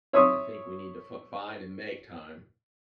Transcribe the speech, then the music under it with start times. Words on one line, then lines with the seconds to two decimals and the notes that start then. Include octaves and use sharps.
I think we need to fi find and make time.
0.13 C#5 E5 C6 C#6 D#6